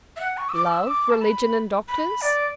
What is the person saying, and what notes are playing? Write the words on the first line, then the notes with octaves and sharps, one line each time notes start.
'Love, religion and doctors!
E5
F#5
C#6
E6
D6
D6
E6
D6
A5
B5
B5
D5